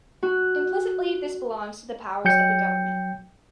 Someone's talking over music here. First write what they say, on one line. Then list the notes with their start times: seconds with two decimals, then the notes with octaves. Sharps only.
Implicitly this belongs to the powers of the government.
0.23 F#4
2.25 F#3 G5 G6 C#7